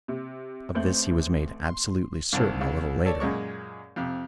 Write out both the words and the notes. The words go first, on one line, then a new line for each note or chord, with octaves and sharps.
Of this he was made absolutely certain a little later.
C3
A1 A3 C4 C5 G6 F#7
C6
C2 G2 D#3 C4
C2 C#3
A4 C#5 D5
F#2 A#2 G#3 C#6
F2 C3